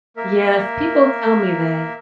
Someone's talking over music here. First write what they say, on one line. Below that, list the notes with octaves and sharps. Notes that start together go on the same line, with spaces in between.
Yes, people tell me that.
A#3 A#4 E5